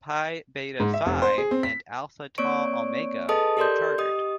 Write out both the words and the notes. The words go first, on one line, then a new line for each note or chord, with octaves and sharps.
Pi Beta Phi and Alpha Tau Omega were chartered.
G#2
E5
F1
C5
G#4
C4
B6
A#3 C4 C#5 D5 C#6 D7
G#4 A4 B4 D#5 A5 D#6
G4 A4 A#4 D5 C6 G6
G4 D#5 D#6